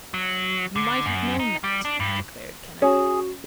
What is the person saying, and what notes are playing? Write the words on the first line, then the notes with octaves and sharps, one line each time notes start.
"You might have known that," declared Kenneth.
F#3
D3
F#2
D#4
G3
D4
G2
C#4 F#4 G#4